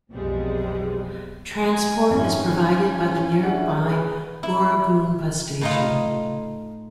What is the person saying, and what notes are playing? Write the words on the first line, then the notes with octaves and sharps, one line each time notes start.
Transport is provided by the nearby Booragoon bus station.
B1 F2 C3 G3 G#3
D#4 G#5 D6
G#1 G#2 G3 C#4 E4 G5
G3 A3 D4 F#4 G#4 F#5
G2 G#4 B4
E4
A2 D#4 F4